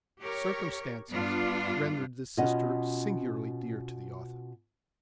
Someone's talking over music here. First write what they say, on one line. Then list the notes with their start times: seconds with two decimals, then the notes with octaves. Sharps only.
Circumstances rendered this sister singularly dear to the author.
0.20 G4 A#4 C#5
1.10 G2 B3 D4 F4
2.37 B2 C#4 F4 D#5 F#5